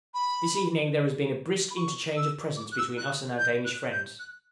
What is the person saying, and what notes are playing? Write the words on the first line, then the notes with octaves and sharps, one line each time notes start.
This evening there has been a brisk interchange of presents between us and our Danish friends.
B5
B5
C#6
E6
D6
F#6
E6
F#6
G6
F#6
G6
F#6